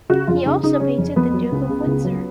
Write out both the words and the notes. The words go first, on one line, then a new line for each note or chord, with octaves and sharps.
He also painted the Duke of Windsor.
C#3 F#4
F2 F4
C#3 D#4
C#3 D#4
C#3 C#4
F2
F2 B3
F#3
C#2
C#3
C#2
F#3